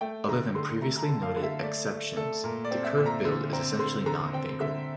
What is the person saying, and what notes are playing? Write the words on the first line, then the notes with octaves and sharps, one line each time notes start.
Other than previously noted exceptions, the curve-billed is essentially non-vagrant.
A3 G5
D3 A#5
D3 C6
A3 A#5
A#5
A5
D3
F5
D3
E5
A3 D5
A3
A3 A4
A#2 A#4
D5
C4
E5
A#2
A#5
D3
C4 A#5
D3 C6
D3 A#5
C4 G5
D3 E5